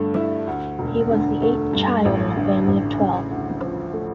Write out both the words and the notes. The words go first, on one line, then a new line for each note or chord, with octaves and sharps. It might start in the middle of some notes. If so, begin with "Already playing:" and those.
He was the eighth child in a family of twelve.
Already playing: G2 D3 A3
E4
D2
E1
D3
A3
G2
A1
D3
A1
C#3
D2
F3
A3